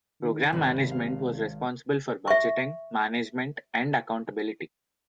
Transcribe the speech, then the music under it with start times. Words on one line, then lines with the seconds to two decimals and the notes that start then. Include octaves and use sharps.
Program Management was responsible for budgeting, management and accountability.
0.21 D#3
0.52 G#1 C3 B5
0.91 F5
2.28 E5 C#6